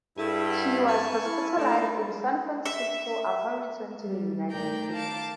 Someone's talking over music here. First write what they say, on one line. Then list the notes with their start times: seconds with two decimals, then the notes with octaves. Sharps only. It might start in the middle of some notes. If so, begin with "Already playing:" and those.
She was hospitalized in San Francisco upon return to the United States.
0.18 G2 E4 G#4 A4
0.47 G4 F#5
0.88 B4 G#5 A5 C#6 G#6 A6
1.25 E4 C6 F6
1.57 A3 D4 D#4 A4 B5
2.66 E5
4.03 G3
4.52 D#3 A3 A#4 D5 G5 G6
4.91 F5 A5 D6